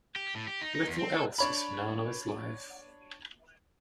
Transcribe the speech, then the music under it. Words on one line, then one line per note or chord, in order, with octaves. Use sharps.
Little else is known of his life.
G4
A2
G4
D#4
D#4
E2
C4
A4
D4 C#5 B5